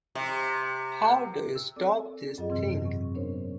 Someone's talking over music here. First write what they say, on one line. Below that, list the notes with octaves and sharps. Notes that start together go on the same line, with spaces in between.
How do you stop this thing?
C3
E6
C4 A4 D5 D6
F#2 F#3 F4 G#4 D#5
G#2 C3 E3 C4
F#3 C#6
B3 C#4 D4 A#4 C5 C#5